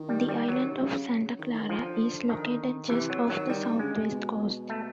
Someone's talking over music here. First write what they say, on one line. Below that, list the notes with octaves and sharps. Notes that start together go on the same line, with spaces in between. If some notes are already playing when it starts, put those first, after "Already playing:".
The island of Santa Clara is located just off the southwest coast.
Already playing: D#3
G3
G3
D#3 F#3
C3
C#3
D#3
D#3
D3 F3
D#3
C3 E3
F#3
D#3 F#3
D#3 G3
D3
C#3 G#3
C3
B2
A3